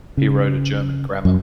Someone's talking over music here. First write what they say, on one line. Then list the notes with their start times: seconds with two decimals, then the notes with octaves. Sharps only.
He wrote a German grammar.
0.17 C#3
1.25 F#2